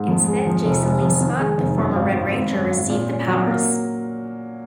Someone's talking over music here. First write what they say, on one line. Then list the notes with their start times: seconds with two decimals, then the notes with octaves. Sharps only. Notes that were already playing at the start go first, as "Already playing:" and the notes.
Instead Jason Lee Scott, the former Red Ranger, received the powers.
Already playing: G#2
0.08 F2
0.28 G#3
0.47 F3
0.65 F1
0.84 F1
1.02 F2
1.21 D#3
1.39 G#3
1.58 F1
1.78 F#2
1.96 G#1
2.15 G#1
2.34 G#1
2.53 F#2
2.71 G#1
2.90 A#2
3.09 C#4
3.28 F#3
3.47 A#3